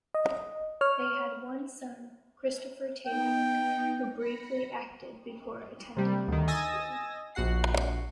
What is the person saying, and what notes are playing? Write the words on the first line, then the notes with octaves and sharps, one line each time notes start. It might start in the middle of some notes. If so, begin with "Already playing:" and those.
They had one son, Christopher Tayback, who briefly acted before attending law school.
D#5
C#5 F6
B3 D#4 G5
B5 A#6 C#7
C3 G3
D2 D#3
D#5 G#5 D#6 E6 A6 A#6
A#1 F#4 F#5 C7